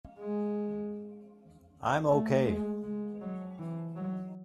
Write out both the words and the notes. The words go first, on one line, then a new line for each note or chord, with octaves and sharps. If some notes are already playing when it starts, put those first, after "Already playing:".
I'm ok.
G#3
A3
G#3
G#3
F#3
E3
F#3